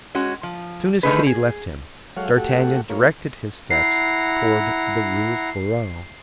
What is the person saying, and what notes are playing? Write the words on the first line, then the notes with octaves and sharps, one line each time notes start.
Soon as Kitty left him, d'Artagnan directed his steps toward the Rue Ferou.
G#3 C#4 F#4
F3
D3 D#3 A3 D#4 G#4 B4
G#4
F#3 G#3 A4 C#5 F5 F#5
A3 F#4 G4 A4 F#5
A3 F4 A#4 C#5
E4 F#5 A#5 C7